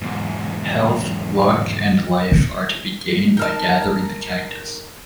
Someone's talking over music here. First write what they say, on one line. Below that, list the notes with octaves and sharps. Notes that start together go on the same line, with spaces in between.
Health, luck, and life are to be gained by gathering the cactus.
E2 G#2
D#4 A#4 A5